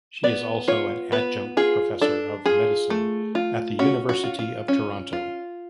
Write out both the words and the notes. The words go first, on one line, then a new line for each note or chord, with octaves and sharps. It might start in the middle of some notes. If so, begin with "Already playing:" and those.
She is also an Adjunct Professor of Medicine at the University of Toronto.
B3 D5
F4 C#5
B3 B4
F4 G#4
D4 A4
F4 G#4
A3
F4
C#4 F#4
F#4
F4
F4
C#4
F4